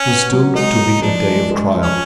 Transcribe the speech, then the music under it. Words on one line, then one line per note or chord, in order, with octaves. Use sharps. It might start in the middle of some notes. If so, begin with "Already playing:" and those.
It was doomed to be a day of trial.
Already playing: C#4
B3
F#3
G#3 D#4
G#3
F3 D4
G#3
G#3
F3
C#4